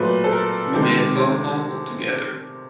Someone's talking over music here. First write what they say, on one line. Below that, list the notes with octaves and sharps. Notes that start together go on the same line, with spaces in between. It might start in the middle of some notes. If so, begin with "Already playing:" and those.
We may as well all go together.
Already playing: A#2 F#3 A3 B4
A4
A#4
C3 D#3 G#3 A4
C#5